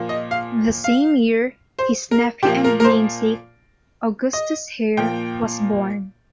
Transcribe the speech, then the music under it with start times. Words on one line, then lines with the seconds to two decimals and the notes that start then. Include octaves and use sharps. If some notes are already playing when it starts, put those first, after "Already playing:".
The same year, his nephew and namesake, Augustus Hare, was born.
Already playing: A#2 F3 A#3
0.09 D#5
0.31 F5
0.84 F5
1.79 C5
2.11 A#4
2.42 A#2 F3 A#3 G4
2.64 A#4
2.80 A#4
2.84 C5
4.33 D#5
4.97 A#2 F3 A#3 G5